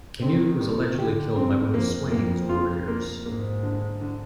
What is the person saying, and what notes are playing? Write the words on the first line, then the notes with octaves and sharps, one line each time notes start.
Canute was allegedly killed by one of Sweyn's warriors.
D#3 C4
G3
D3 G4
G2 C4
F2 A#3
A#3
F4
A#3
G#2 A#3
D3
D3